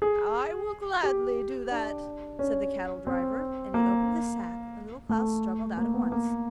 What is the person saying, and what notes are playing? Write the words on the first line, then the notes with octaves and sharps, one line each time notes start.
'I will gladly do that,' said the cattle-driver; and he opened the sack, and Little Klaus struggled out at once.
G#4
G4
D4
C#4
C4
A#3
A3
A#3
B3
A#3